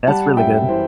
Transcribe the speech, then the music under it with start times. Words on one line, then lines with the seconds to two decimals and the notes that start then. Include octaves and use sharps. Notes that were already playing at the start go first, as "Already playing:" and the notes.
that's really good.
0.07 G3 F#5 A5
0.37 F#2 E5 G5
0.68 E3 C5